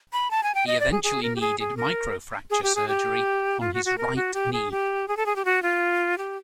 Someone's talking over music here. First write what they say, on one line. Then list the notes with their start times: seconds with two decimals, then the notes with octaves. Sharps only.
He eventually needed microfracture surgery on his right knee.
0.13 B5
0.31 A5
0.43 G#5
0.55 G5
0.67 D#5
0.80 D5
0.92 G#4
1.04 G#4
1.23 A#4
1.36 G4
1.41 G#4
1.60 G#4
1.77 A#4
2.50 G#4
2.63 G4
2.75 G#4
2.88 G4
3.60 F4
3.74 F#4
3.85 F#4
3.98 A#4
4.16 F#4
4.34 G4
4.53 G#4
4.71 G4
5.08 G#4
5.17 A4
5.26 G#4
5.36 G4
5.45 F#4
5.62 F4
6.18 G4